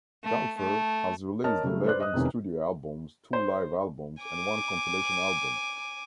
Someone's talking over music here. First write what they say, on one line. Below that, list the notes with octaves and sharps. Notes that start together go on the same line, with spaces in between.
Dulfer has released eleven studio albums, two live albums, and one compilation album.
A3
A3
A#4 C#5 D#5 A5 F6
C#3 F#3 G3 A3
B4 C5 D5 F#6
D#5 D#6
F1 E2 C3 D#3 C#4
C5
G#5 D6